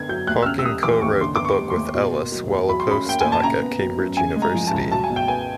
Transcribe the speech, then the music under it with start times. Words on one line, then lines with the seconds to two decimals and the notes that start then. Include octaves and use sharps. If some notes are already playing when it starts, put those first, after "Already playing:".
Hawking co-wrote the book with Ellis, while a post doc at Cambridge University.
Already playing: D3 B3 G#6
0.09 F#3 G6
0.27 D#2 F#6
0.42 E6
0.46 C#3 F6
0.59 E6
0.65 G3 D#6
0.83 E3 D6
1.02 D#2 C#6
1.20 D3 C6
1.36 B3 D6
1.45 C#6
1.57 G3
1.70 C6
1.76 D#2
1.95 B2
2.13 A#3
2.32 F#3
2.50 E2
2.69 F#3 B5
2.80 C6
2.87 C#4 B5
3.05 A#3 G5
3.21 A#2 G#5
3.32 A5
3.43 C#3 A#5
3.62 B3
3.80 F#3
3.98 F#2
4.17 C#3 G#5
4.36 G#3
4.42 A#5
4.54 F3
4.67 A5
4.73 C#2
4.92 F#3 A5
5.04 G#5
5.10 B2
5.16 G5
5.28 B3 G#5